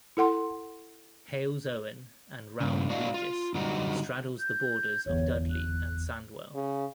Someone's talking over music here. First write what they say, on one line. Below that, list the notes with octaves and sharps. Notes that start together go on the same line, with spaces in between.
Halesowen and Rowley Regis straddles the borders of Dudley and Sandwell.
E4 A4 F#5 C6
G2 C#3
A3 D4 E4 F#4 D#5 F5
F4
F#2 D3 G3 D#4 F#4
G6
G1 E2 C#5
F#6
C#3